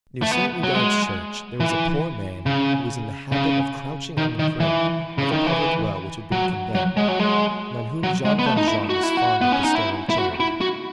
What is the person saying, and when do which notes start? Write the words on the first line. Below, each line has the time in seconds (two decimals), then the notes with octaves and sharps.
Near Saint-Medard's church there was a poor man who was in the habit of crouching on the brink of a public well which had been condemned, and on whom Jean Valjean was fond of bestowing charity.
0.22 A3
0.31 B3
0.64 F#3
0.75 G#3
1.60 E3
2.46 C#3
3.32 C#3
4.17 D#3
4.39 D#3
4.60 E3
5.18 C#3
5.32 D#3
5.46 E3
6.32 F#3
6.75 F#3
6.97 G#3
7.08 F#3
7.19 G#3
8.03 F#3
8.25 G#3
8.39 B3
8.46 A3
8.57 D#4
8.68 E4
8.89 F#4
9.03 E4
9.17 F#4
9.41 B3
9.52 C#4
9.64 D#4
9.75 E4
10.10 E4
10.18 F#4
10.40 E4
10.61 F#4